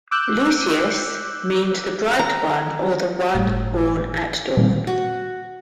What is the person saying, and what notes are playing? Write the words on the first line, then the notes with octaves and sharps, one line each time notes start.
"Lucius" means "the bright one" or "the one born at dawn".
D6 E6 F#6 G6
A#5
G1 A2
A#2 D#3 G3 C4
F#4